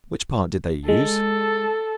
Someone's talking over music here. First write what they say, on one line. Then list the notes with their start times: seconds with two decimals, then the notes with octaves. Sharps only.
Which part did they use?
0.89 G#3 A4